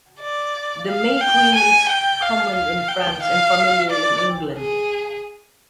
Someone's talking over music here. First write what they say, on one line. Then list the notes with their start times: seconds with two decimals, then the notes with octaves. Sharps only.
The May Queen is common in France and familiar in England.
0.20 D5
0.87 F5
1.21 G5
1.55 G#5
1.89 G5
2.22 F5
2.55 F5
2.89 G5
3.22 F5
3.90 D5
4.58 G#4